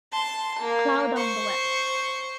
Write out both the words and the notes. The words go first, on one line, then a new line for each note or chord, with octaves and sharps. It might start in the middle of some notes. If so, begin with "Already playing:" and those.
Cloud on the west.
A5 C6
A#3
C5 C#6